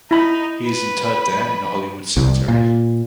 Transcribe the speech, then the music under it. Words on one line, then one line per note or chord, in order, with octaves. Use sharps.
He is interred there in the Hollywood Cemetery.
D#4 E4 B5
B4
C2
A#2